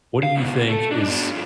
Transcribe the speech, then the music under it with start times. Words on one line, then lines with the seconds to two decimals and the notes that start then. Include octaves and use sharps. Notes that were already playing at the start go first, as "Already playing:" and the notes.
what do you think is
0.23 F5
0.37 C#2 B2
0.69 A3 A4
0.91 D4 D#4
1.08 B2 D4
1.31 G2 F3